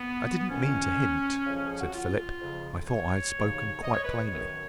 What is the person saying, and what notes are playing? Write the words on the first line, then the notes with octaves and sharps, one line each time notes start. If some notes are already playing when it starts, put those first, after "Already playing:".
"I did not mean to hint," said Philip; "I thought I had spoken quite plainly."
Already playing: B3
F2 D#3 C#4
F2 C#3 F3
G#4
F#4
F4
F2 C#3 F3
C#5
D#2 C#3 F3
D#5
C#5
B4
C#5
F#2 D#3